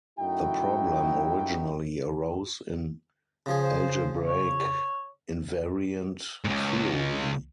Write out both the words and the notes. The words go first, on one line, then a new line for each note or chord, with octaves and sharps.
The problem originally arose in algebraic invariant theory.
F#2 A3 D#4 E4 F#4 G5
C#3 F3 G#4
C5
C#5
C#2 G#2